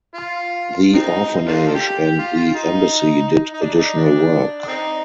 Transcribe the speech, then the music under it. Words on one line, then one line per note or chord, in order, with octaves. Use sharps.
The Orphanage and The Embassy did additional work.
F4
C4 D#4
A3 D4 F4
A4
G4
G4
F4
F4
D#4
D#4
D4
D#4
D4
D4
C4 D#4